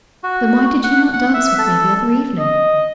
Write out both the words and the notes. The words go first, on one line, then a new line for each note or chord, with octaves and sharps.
"Then why did you not dance with me the other evening?"
F#4
F#5
F#5
E5
A4
D#5